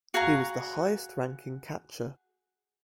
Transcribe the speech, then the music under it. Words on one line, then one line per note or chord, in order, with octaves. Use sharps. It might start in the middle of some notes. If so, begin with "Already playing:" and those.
He was the highest-ranking catcher.
F#4 G#4 F5 A#5